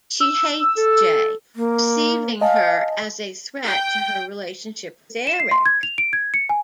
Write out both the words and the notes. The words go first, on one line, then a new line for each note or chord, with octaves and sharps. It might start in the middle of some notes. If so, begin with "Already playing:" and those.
She hates Jaye, perceiving her as a threat to her relationship with Eric.
E6
A4
A#3
D#5 F5 G#5 A5
G5
E7
C7
C6
G#6
F7
D7
G#6
C#7
G#5